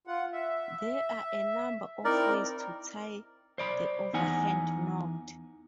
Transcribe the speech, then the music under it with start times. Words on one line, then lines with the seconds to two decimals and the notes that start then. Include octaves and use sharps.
There are a number of ways to tie the Overhand knot.
0.07 F4 F#5
0.33 E5
2.05 C4 D#4 E4 A#4 D5
3.58 C5 D5 B5
4.13 E2 D#4 F#5 G#5